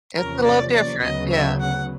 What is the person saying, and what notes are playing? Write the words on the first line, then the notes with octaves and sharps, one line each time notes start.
It's a little different, yeah.
E2 C3 F3 A#3 C#4 A#4
D5
D5
D2 C#3 F#3 B3 D#5
E5
F#5